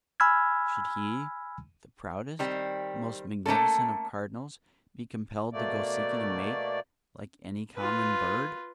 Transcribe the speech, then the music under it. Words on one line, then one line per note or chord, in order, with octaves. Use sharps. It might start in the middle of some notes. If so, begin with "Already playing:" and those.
Should he, the proudest, most magnificent of cardinals, be compelled to go seeking a mate like any common bird?
G#5 B5 E6 F6 G#6
D#3 G3 C4
A3 A#3 C#4 A4
B2 A3 A#3 D5
F4 B4